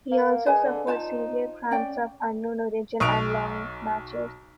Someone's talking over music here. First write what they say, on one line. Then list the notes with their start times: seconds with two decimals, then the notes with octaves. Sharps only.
He also suffered severe cramps of unknown origin in long matches.
0.12 A#3
0.46 G#3 B4 G#5
0.65 D3
0.87 D#4 F4 C5 A5
1.71 C#4 D5 G5
3.00 B1 C#6 D#6 F#6 D7 F7